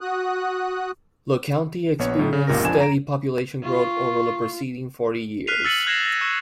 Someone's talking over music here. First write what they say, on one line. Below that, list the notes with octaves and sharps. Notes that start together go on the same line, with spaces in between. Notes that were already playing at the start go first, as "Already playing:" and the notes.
The county experienced steady population growth over the preceding forty years.
F#4 D#6 F#6
A#1 B3 C#5
A2 F#3 D#4
C#3
G1 C#2 A#2 G4 A#4 A#6
F2 F3 D4 G#5 G#6 E7
A#5 A#6 D7
F4 C#6
F6 F#6 B6 C7 D#7 F7
E6 A6 C#7 D#7 F#7
F#6 G#6 A#6 C7 E7
A#6
C#6 E6 E7